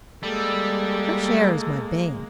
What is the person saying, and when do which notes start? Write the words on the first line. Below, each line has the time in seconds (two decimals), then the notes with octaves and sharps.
Fresh air is my bane.
0.23 G3 G#3 A#3 A4